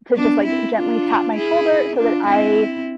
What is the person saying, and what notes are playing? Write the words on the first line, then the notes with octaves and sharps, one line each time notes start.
to just, like, gently tap my shoulder so that I
B3 D4
C4 E4
D4 F4
E4 G#4
D4 F4
C4 E4